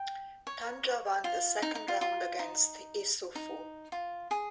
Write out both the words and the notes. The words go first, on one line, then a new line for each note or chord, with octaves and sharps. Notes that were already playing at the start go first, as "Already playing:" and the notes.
Tandja won the second round against Issoufou.
Already playing: G5
C#5
F4
D#4
D#4
F4
F4
D#4
D#4
F4
G#4